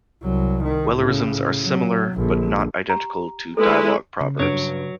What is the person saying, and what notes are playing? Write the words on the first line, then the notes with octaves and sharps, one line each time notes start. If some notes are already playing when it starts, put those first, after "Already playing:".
Wellerisms are similar but not identical to dialogue proverbs.
C2 F#3
D#3
A2 C#3
F#3
A#1 D3
G4 A#5
G#3 E4 A4 B4
C#3
G2 F#3 C#5 D7